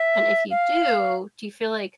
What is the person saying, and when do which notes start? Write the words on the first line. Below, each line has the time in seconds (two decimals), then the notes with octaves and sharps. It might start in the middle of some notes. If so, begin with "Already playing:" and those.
And if you do, do you feel like
Already playing: E5
0.51 F5